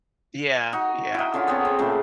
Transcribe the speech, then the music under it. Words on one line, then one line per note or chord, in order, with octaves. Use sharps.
Yeah, yeah.
D#4 F#4
D#4 E4
D3 C#4 F4 A5
B3 C4 G#4 C#5
C4
A#2 C#3 A3